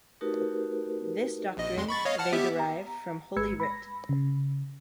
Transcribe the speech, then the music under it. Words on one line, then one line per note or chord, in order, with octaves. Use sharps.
This doctrine they derived from Holy Writ.
A3 D#4 F#4 G4 A#4 B4
A#1 D#5
F2 G#3 C6
B5 C#6 A6
C#5 D#5 F5
F#5 A5 F6
B3 G4 E5
A#5
G#1 G#3 B4 E6 G#6 C#7
B5 A#6
C#3